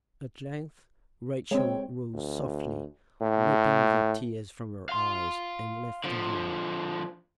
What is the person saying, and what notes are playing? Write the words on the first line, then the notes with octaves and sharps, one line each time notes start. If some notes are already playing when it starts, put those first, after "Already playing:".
At length Rachel rose softly, wiping the tears from her eyes, and left the room.
G#3 C4 C#5 G5
D2
A2
F5 C6
D3 F3